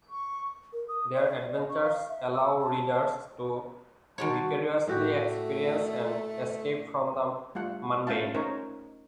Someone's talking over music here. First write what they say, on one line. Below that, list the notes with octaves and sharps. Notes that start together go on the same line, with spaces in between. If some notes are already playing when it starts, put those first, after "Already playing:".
Their adventures allow readers to vicariously experience an escape from the mundane.
C#6
A#4
D#6
D5
D#5
C#6
F5
E5
E6
A5
D#3 G3 G#3 F#4 C#5 A5
A2 A3 F#4 G4
G3 A3 F4 F#5
A3 C#4 F4 E5 F5 A5
C#4 D#4 A#4 C5 C#5